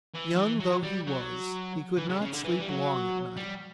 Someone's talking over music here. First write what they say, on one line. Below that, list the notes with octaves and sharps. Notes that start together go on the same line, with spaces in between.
Young though he was he could not sleep long at night.
E3
E3
F#3
G3
F#3
E3
C#3
C#3
D3
E3
G3
F#3
G3